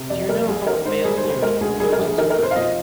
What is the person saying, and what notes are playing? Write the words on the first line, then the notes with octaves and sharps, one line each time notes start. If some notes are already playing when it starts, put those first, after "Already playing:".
Do you know how a male newt proposes, Bertie?
Already playing: C3
F1 D5
G3 A#4
C2 G#4
D4 A#4
G#2 C5
G3 G#4
C5
D#2
C5
G#3 A#4
D2 G#4
G3 G#4
A#4
A#1
G#4
D#3 A#4
A#4
F1
C5
F5
F3 D#5